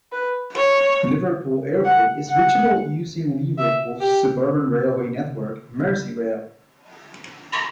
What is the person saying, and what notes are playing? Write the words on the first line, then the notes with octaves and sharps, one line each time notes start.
Liverpool Airport is reachable using Liverpool's suburban railway network, Merseyrail.
B4
C#5
F#5
F#5
E5
G4